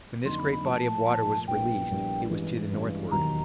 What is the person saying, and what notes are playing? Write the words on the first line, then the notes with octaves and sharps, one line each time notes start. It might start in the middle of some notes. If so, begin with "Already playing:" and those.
When this great body of water was released it was to the northward.
F2 D3 F#3 A#3 D#4 C6
B5
B5
A#2 F3 A3 A5
A#2 F3 A3
A#1 A#2 G3 B3 E4 G5
A#1 A#2 G3 B3 E4
A1 G2 E3 G#3
A1 G2 E3 G#3
E1 D#2 D#3 F#3 A#5